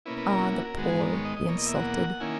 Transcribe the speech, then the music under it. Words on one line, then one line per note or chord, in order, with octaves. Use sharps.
Ah, the poor, the insulted!...
B2 A#3 C#4 E4 B4
B4
A#4
F#4
F#4
A#4
G#2 D#3 G#3 B3 F#4
G#4
A#4
C#5
D#5
D#5
E2 B2 A#3 C#5
D#5
E5
F#5
D#3 A#3 C#4 E4 G#5